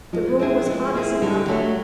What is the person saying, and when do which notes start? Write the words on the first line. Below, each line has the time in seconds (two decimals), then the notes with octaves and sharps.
The room was hot as an oven.
0.13 F3 G#3
0.39 C4 E4 G#4
0.66 G#3
0.94 C4 E4 G#4
1.21 D3 G3
1.48 F#3 A3